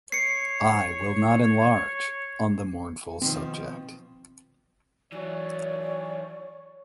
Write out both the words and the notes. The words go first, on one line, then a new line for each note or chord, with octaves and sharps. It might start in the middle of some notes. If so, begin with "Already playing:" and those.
I will not enlarge on the mournful subject.
C#5 C7 C#7
B2 D#3 F3 C4
E3 F#3 C#5 D5